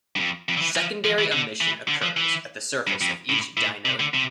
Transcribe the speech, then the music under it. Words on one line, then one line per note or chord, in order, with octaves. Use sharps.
Secondary emission occurs at the surface of each dynode.
G2
F2
F2
D3
E3
F3
F3
E3
D3
E3
D3
F3
E3
G2
F2
A2
A2
C3
D3
C3